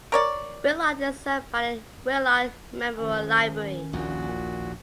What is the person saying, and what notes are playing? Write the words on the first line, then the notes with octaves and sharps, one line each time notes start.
Willard is served by the Willard Memorial Library.
A#4 C#5 D5
D#3 F3 C#4
A#1 D#2 A#2 F#4